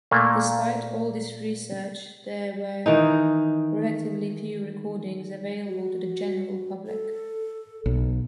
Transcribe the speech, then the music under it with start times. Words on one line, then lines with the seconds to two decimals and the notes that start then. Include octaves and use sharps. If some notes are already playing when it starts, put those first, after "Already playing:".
Despite all this research, there were relatively few recordings available to the general public.
0.11 A#2 A3 A#3
2.86 D#3 E3 D#4
5.67 F#4
6.86 A4
7.86 B1